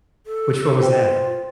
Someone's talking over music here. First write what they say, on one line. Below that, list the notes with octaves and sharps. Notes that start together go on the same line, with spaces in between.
Which one was that?
A4
B4 C5 G5
F4